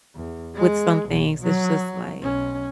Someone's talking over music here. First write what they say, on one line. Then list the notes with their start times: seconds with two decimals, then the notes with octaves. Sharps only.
with some things, it's just like
0.15 E2
0.55 G#3
1.09 B1
1.41 F#3
2.20 B1 C#4